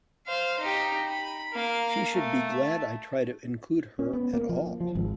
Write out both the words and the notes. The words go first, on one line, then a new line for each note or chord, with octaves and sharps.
She should be glad I try to include her at all.
C5 F5
D#4 G4
B5
A#3 F5
A3
C#4
B3
A#3
F3
F3
G#1